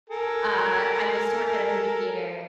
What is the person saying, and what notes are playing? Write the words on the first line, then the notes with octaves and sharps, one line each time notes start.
uh, I used to work in a movie theater,
A4 A#4 G#5